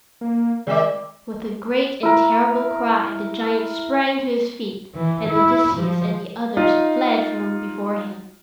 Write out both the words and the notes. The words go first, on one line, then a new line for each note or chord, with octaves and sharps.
With a great and terrible cry the giant sprang to his feet, and Odysseus and the others fled from before him.
A#3
D#3 G#3 D5 E5 D6
E4 A#4
E3
E4
F3
D#4 F4